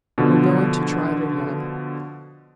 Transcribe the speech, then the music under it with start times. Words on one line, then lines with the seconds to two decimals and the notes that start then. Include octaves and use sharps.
We're going to try it again.
0.18 B2 D3 F3